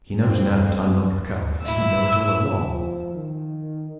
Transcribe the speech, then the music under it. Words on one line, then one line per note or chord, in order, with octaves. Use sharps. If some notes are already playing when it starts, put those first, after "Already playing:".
He knows now that I'm not Rakhal, if he didn't know it all along!
F2 C4
E4 E6
F3
D#3